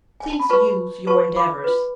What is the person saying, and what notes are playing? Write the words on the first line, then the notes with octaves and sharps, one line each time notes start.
Please use your endeavors.
G#5
A5
B5
F4 B4 A5 C#6
F4 B4 A5 C#6
B5 D6
F4 B4